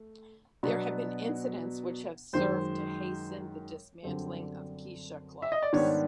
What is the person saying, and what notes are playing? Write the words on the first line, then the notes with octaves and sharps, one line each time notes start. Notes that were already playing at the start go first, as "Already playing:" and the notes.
There have been incidents which have served to hasten the dismantling of kisha clubs.
Already playing: A3
B2 F#3 B3 D4
F#2 D#3 G#3 C5
F#2 D3 G3 C4
E5
D#5
D5
G#2 D#3 G3 B3 D4 C#5